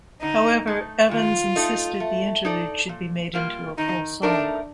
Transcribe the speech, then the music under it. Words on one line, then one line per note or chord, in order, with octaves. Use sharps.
However, Evans insisted the interlude should be made into a full song.
D3 D#4
A3 D#4
D#3 F4
A3 D#4 A4 D#5
A3
D#4 A4 D5
A#2
G3 A#3 F4
D#3 D#4
A3 D4 D#4 A#4